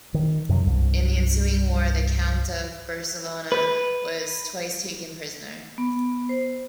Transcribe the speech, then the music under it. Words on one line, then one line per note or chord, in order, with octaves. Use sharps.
In the ensuing war the Count of Barcelona was twice taken prisoner.
D#3
F#2 C3 F3 F#3
C2 G2
B4
B3
C5